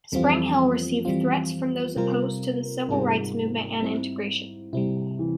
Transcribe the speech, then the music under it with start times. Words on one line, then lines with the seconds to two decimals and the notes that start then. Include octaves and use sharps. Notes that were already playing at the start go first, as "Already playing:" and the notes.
Spring Hill received threats from those opposed to the civil rights movement and integration.
0.12 F2 E3 G3 C4 F4
1.05 E3 G3 C4 F4
1.96 C3 G3 C4 F4 A#4
2.89 G#2 C3 G3 C4 F4 A#4
3.80 G3 C4 E4
4.73 C3 G3 C4 E4
5.19 E3